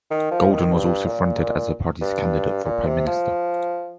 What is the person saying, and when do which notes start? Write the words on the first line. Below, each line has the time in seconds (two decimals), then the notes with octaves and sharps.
Golden was also fronted as the party's candidate for Prime Minister.
0.10 D#3
0.31 F3
0.52 D#3
0.73 G2
1.06 A#2
1.37 A#2
2.01 G2
2.65 A#2
2.86 C3
3.07 F3